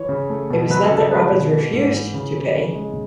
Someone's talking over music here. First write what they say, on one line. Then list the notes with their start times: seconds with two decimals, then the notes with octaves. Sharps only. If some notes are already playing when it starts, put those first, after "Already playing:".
It was not that Robens refused to pay.
Already playing: E3 C#5
0.09 C#3
0.29 A3
0.50 B2
0.70 F#3 B4
0.84 A4
0.91 C#3
0.97 A4
1.11 G#3 B4
1.32 B2
1.53 E3
1.73 G#2
1.93 E3
2.14 C#3
2.34 E3
2.55 C#3
2.75 G#3